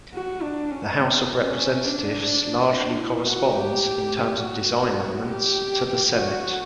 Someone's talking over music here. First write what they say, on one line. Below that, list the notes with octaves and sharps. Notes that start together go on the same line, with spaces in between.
The House of Representatives largely corresponds, in terms of design elements, to the Senate.
F#4
D4
C#4
B3
C#4
D4
D4
E4
F#4
G4
F#4
G4
F#4